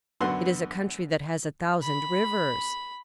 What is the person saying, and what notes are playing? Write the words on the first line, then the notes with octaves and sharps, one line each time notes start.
It is a country that has a thousand rivers.
F#2 D3 B3 F#4 F#5 C6
B5